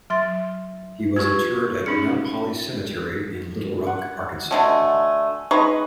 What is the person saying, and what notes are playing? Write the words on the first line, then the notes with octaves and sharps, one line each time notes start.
He was interred at Mount Holly Cemetery in Little Rock, Arkansas.
F#3 E5 C6 A6
F4 G4 B4 C#6 G#6
C#4 D#4 G#4 C#7 F#7
F#5
B2 D3 A3 G#5
G#3 D#4 B4 C#6